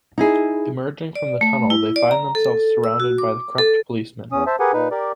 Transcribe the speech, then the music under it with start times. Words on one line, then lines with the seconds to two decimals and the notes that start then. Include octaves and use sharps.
Emerging from the tunnel, they find themselves surrounded by the corrupt policemen.
0.18 D#4 E4 G#4
1.15 D5
1.41 A3
1.70 E4
1.96 D5
2.11 A#5
2.35 A4
2.84 E6
3.00 F#4
3.18 D6
3.58 A4
4.32 E2 C#4 D#6
4.47 C5 E5 A5
4.60 G4 G#4 A#4 B4 F#5 G#5
4.73 A#2 D#4 B4
4.91 G4 A#4 D5